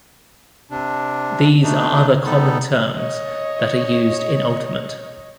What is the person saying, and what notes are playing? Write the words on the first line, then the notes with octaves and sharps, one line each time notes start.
These are other common terms that are used in Ultimate.
C3 D4
B2 A3 D4 D#4
G3 B3 D#4 A4
C#5 D#5